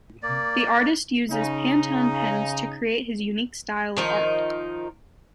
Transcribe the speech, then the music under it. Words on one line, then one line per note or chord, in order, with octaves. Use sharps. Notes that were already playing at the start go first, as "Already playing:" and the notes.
The artist uses Pantone pens to create his unique style of art.
A#3 D5
C#3 D#4
D#3 F3 D#4